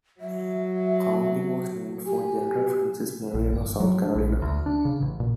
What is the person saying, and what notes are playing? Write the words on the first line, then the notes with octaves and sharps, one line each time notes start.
The county was named for General Francis Marion of South Carolina.
F#3 E5
G4 G#5
A#1
G1
F#3
D4
A#1
D2
D4
C#3
A1
A#2